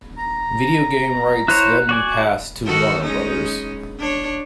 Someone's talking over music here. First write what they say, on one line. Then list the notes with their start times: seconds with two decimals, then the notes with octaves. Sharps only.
Video game rights then passed to Warner Brothers.
0.18 A#5
1.48 E4 C5 C#5 F#6
1.89 F#4 D5 G#5
2.65 D#3 F#4 A4
3.03 G#3 C#4 D#4
3.98 D4 C#5